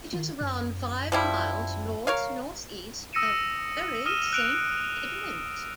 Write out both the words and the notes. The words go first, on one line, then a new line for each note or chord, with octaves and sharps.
It is around five miles north-north-east of Bury Saint Edmunds.
D#3
F#2
F3 G3 E4
A#4 C#5 F5
D#6 E6 A#6 C#7 D#7 E7
D#6 F6 A#6 D#7 E7 G7
F#6 D7 F7